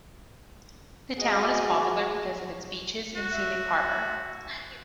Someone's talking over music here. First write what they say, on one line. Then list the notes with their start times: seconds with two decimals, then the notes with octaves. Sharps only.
The town is popular because of its beaches and scenic harbor.
1.20 F#4 G#4 D#5
1.70 C#6
3.15 F#4
3.32 E5